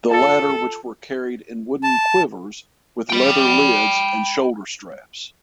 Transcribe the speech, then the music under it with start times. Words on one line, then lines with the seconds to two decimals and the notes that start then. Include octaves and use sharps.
The latter which were carried in wooden quivers with leather lids and shoulder straps.
0.11 F4 A4 A5
1.83 A5
3.10 G5 B5